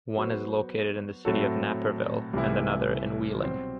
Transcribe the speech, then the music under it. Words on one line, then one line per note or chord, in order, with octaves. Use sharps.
One is located in the city of Naperville and another in Wheeling.
F#3 B3 F#4 C5
A2 F#3 C4 F#4 A4
C2 C3 E3 A3 E4
B2 F#3 C4 F#4 C5